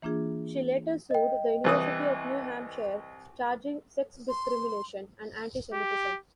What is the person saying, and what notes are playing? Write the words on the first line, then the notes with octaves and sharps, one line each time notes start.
She later sued the University of New Hampshire charging sex discrimination and anti-Semitism.
E3 A#3 D4 F4 G#4
D#5 G5
C2 E3 D#6
C6
G4